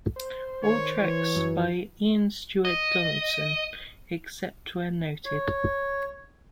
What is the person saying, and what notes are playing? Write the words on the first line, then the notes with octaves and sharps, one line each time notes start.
All tracks by Ian Stuart Donaldson, except where noted.
C5
D#3 C#5
E3 C#5
F#2
D#5
C#5